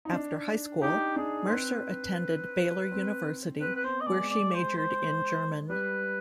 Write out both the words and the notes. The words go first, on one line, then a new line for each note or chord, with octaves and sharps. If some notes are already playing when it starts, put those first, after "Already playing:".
After high school, Mercer attended Baylor University, where she majored in German.
D#4
D4
D#4 G4
D4 G#4
C5
C4 B4
C4
C4 B4
B4
B3 C5
D#5
G#3 D5
D5
C5
C5
G3 B4